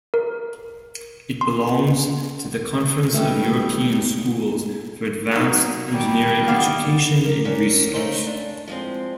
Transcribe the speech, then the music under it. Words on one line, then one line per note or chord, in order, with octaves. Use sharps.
It belongs to the Conference of European Schools for Advanced Engineering Education and Research.
A#4
C6
D#3 G3 A3 C#4
F#3 A#3 D#4
D#3 G3
B3 D4 F5
A#4
C#4 D4 G4 A#4
C#3 A3 D#4 A#4 C5
D4
F3 G#3 C4